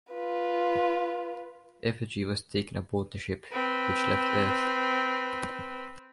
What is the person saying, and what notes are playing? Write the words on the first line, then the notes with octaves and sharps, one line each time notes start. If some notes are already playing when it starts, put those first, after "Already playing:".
Effigy was taken aboard the ship, which left Earth.
F4 B4
C4 B4